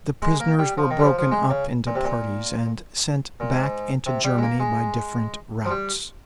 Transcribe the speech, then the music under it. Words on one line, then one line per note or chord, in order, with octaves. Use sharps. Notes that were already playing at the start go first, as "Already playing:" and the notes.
The prisoners were broken up into parties, and sent back into Germany by different routes.
G#3
A#3
G3
F3
D#3
G3
F3
F3
G#3
C#3
A#2
C3
A#2
A#2
G#2
C3
G3
G#3
A#3
G#3
F3
G3